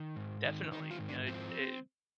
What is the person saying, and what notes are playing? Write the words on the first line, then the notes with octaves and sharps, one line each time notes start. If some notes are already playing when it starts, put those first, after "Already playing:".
Definitely. You know, it it
Already playing: D#3
G#2
D#3
D#3 D#4
F4
G#2
D4
F3 C4